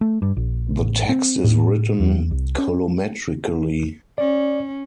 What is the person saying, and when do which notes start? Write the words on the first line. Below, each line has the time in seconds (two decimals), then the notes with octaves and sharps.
The text is written colometrically.
0.01 A3
0.22 G2
0.37 A#1
0.80 A1
1.09 C4
1.44 A2
2.00 E2
2.31 C2
2.58 C#4
4.18 C#4 D5